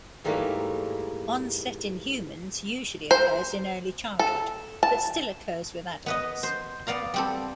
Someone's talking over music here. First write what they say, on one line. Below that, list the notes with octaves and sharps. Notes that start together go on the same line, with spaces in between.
Onset in humans usually occurs in early childhood, but still occurs with adults.
G#2 E3 G3 A3 A#3
C5
A4
A5
B3 B4 D#5
C5
B3 D5 F5 A#5
G3 C4 A4